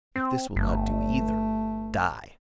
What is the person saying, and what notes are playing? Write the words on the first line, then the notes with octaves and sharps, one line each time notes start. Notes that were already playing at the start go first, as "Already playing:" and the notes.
If this will not do either, die!
C4
G1 A3